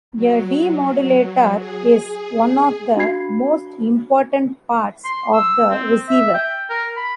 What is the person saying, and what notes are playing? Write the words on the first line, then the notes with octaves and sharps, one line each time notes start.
A demodulator is one of the most important parts of the receiver.
F#3
G#4
D4 F#4 F5 B5 G#6 C7
C6
E6
C4
E5
G5
A#4
B5